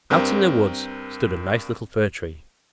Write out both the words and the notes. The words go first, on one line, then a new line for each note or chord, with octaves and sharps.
Out in the woods stood a nice little Fir Tree.
G2 C4 A#4 G5